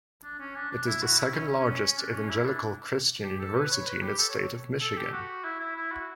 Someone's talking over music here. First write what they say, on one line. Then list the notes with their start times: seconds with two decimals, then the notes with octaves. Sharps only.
It is the second-largest Evangelical Christian University in the state of Michigan.
0.24 D4
0.39 C#4
0.55 D4
0.70 D4
0.86 E4
1.03 F#4
1.18 E4
1.34 C#4
1.58 C#4
1.97 D4
2.13 C#4
2.29 E4
2.45 D4
3.23 G4
3.39 A4
3.55 B4
3.71 C#5
3.87 B4
4.02 G4
4.18 A4
4.29 C#5
4.39 C#5
4.81 A4
4.97 G4
5.13 F#4
5.44 E4
5.60 E4
5.76 E4
5.92 F#4